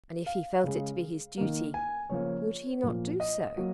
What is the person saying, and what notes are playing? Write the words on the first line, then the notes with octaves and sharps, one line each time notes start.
And if he felt it to be his duty would he not do so?
F5
C#3 G#3
D#3 A#3
G#5
C#3 F3 A#3 C#5
A#2 F3 A#3
D#5
F#3 A#3